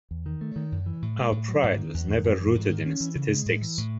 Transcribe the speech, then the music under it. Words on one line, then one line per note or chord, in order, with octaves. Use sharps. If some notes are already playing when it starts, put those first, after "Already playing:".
Our pride was never rooted in statistics.
E2
D#3
A3
D#3
F#2
E3
A2
G#3
A2
F#3
G#2
D#3
E2
D#3
F#2
E3
G#2
D#3
C#4
E3
C#3
G#3
A2
E3
A2